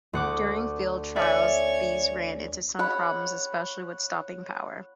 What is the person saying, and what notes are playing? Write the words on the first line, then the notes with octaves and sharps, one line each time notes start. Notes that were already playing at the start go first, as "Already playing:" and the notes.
During field trials these ran into some problems, especially with stopping power.
D2 F#5 D6
C#5 D5 E5 G#5
C#5 F#5 B5